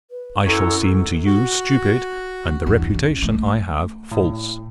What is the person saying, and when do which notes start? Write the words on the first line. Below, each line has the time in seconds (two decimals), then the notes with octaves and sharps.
I shall seem to you stupid, and the reputation I have false.
0.11 B4
0.46 F#2 E4 A4 C#5
1.26 F#4
2.66 E2 G2
2.94 C#4
3.22 A3
4.12 A2